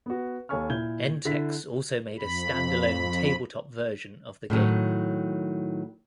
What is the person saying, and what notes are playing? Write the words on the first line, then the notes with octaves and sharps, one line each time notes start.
Entex also made a standalone tabletop version of the game.
B3 F#4
D#2 A4 C#5 G#5 C#6 F6
A#2 E4 G6 G#6 G7
D3 E4 B6
F2 B5
A2 D3 D#3 F#3